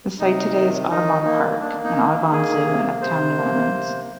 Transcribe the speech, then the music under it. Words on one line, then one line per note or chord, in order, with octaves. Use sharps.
The site today is Audubon Park and Audubon Zoo in uptown New Orleans.
C3 D#4
D#3
D#3 D#4
A#3
A#3 D4
D#4
D#3
A#3 G#4
C3
C3 C5
A#3
C3